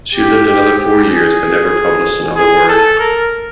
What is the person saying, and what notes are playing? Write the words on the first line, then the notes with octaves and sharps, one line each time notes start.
She lived another four years but never published another word.
G4
G4
G4
G#4
G#4
A4
A#4